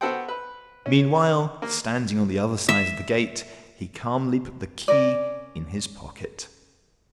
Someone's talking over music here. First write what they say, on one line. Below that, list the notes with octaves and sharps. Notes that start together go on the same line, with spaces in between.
Meanwhile, standing on the other side of the gate, he calmly put the key in his pocket.
B3 F#4 A4 C5 F#5 G5
B4
C#4
A#3
E5
C#4 A#4 D5